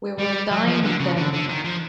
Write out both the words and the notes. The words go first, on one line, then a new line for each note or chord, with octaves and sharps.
We will dine, then.
G3
F#3
F3
D3
C#3
D3
D3
D#3
F3